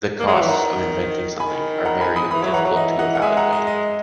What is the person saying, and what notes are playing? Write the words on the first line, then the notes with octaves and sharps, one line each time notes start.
The costs of inventing something are very difficult to evaluate.
A#3
G#3
F#3
E3
D#3 F#5 A#5
D#3 G#5 B5
F#5 A#5
G#5 B5
B5 D#6
E3 B5 D#6
F#3 C#5 E5
E3 F#5 A#5
F#3 F#5 A#5
E3 D#5
D#5 F#5
F#5
G#3 E5 G#5
F#5 A#5
D#5
D#5